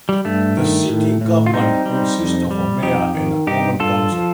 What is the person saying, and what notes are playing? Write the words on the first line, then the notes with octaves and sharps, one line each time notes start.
The city government consists of a mayor and a common council.
G3
G2 A3
D#3
A2
A2
F4
G3 C4 D#4
G3
F2
G3
F2 D#4 G4
D#3
G2 D#4 G4
G2 F4 A4
F3